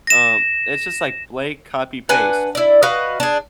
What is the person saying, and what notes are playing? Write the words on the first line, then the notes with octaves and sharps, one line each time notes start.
Um, it's just, like, blank, copy, paste,
A#6 E7
D4 B4 F#5 G#5
E4 D5
F#4 B4 D#5 F5
D4 G#4